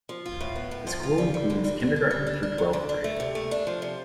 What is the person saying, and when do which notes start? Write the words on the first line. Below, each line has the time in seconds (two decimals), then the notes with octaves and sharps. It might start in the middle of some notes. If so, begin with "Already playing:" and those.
The school includes kindergarten through twelfth grade.
0.09 F3
0.26 F4
0.41 A2
0.55 B3
0.71 A2
0.87 F3
1.03 F4
1.18 G3
1.34 G3
1.50 D3
1.64 G3
1.80 D4
1.96 D4
2.11 G3
2.27 D4
2.43 D4
2.58 D3
2.73 D3
2.89 D4
3.04 A3
3.20 C3
3.35 A3
3.51 D4
3.67 F3
3.82 C3